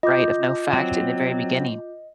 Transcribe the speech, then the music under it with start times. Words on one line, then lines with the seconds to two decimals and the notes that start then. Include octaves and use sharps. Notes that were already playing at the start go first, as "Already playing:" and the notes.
right, of no fact in the very beginning,
0.03 F4 D#5 D6 G6
0.73 F#3 C4